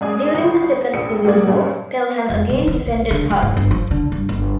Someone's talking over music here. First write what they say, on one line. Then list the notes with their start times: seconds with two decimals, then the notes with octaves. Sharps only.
During the Second Civil War, Pelham again defended Hull.
0.01 F#2 G#3 D5 G#5 D#6
0.35 G1 C#2
0.94 F1 A#1 C#7
1.25 A#1 G3 G#3 A#3 D5 G#6
1.46 G2 A#2 C#3 G3
2.30 F2
2.49 B1
2.67 D#3
2.86 B1
3.11 D3
3.30 D#3
3.42 G#2
3.57 G1
3.71 F3
3.91 D3
4.12 G2
4.29 G1